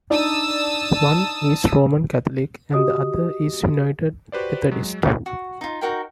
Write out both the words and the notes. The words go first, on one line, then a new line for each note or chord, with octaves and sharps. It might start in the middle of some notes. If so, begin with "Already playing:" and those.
One is Roman Catholic and the other is United Methodist.
D4 D#4 D5 A5 D#6 E6
F#4 G4 D#5 D#6
F#4 G4 B4 C5 D5
F#3 G#3
F#4
D#4 F4
D#4 F#4 A#4 G5